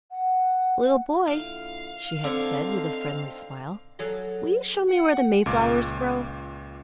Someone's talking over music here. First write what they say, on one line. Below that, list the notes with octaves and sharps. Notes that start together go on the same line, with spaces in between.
"Little boy," she had said, with a friendly smile, "will you show me where the mayflowers grow?"
F#5
A#2 D3 E4 F5
D3 C4 D#4 A4 G#5 C#6
F#3 G#4 A4
F#5
C#2 A#2 D6